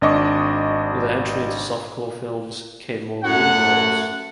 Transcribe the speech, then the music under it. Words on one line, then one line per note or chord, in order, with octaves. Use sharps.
With her entry into softcore films came more leading roles.
G#1 D4 D#5 C#6 D6
F#2 A3 F#4 F#5